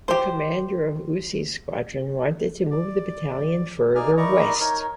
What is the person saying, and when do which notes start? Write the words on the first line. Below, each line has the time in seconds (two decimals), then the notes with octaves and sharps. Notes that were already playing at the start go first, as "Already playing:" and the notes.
The commander of Uhse's squadron wanted to move the battalion further west.
0.08 G4 C5
2.70 D5
3.95 A#3 D#4 G#4 D5 G#5 F6
4.17 D#4 E4 A#4 D5 A#5 C#6
4.60 D#4 A#4 C#5